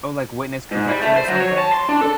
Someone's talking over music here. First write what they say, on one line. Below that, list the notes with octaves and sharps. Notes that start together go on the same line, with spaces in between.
Oh, like witness protection or something?
G#2
G3
A3
C5
F#3
C#5
A5
C6
D4
A4